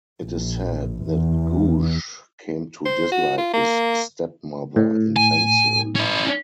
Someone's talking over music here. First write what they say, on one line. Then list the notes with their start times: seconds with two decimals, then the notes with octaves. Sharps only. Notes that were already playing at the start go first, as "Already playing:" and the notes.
It is said that Googe 'came to dislike his stepmother intensely'.
0.22 A#1
1.05 E2
2.85 C5
3.12 F#4
3.38 F4
3.53 A#3
4.76 A2
5.16 G#5
5.96 C#4 E4